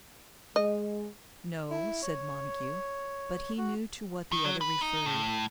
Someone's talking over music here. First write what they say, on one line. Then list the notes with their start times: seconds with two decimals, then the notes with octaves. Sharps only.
"No," said Montague, but he knew to what the other referred.
0.56 G#3 D#5
1.70 E4
2.03 C#5
3.58 F#4
4.32 D#3
4.45 F#3
4.61 B4
4.81 D#4
5.06 A2